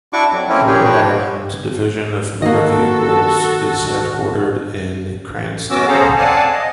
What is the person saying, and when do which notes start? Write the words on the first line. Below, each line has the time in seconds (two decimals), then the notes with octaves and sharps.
The Rhode Island Division of Motor Vehicles in headquartered in Cranston.
0.13 D4 E4 F#4 C#6 D6
0.31 F2 F#3
0.49 A3 A#3 C4 C#4 E4
0.67 A#2 E3 A#3 C#4 G4 G#4
0.84 F3 A3 F#4 G4 B4 C#5
2.42 D#3 A#3 F#4 A4 D#5
5.70 F#2 B3 C#4 F#4 D6 E6
5.88 C#4 G#4 A4 C5 F5 A#5
6.18 C4 D5 F5 F#5 G#5 A5
6.50 D#5